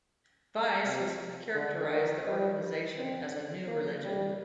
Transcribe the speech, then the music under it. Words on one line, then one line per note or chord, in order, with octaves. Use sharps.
"Vice" has characterized the organization as a "new religion".
C3
D3
D#3
G3
C4
A#3
G3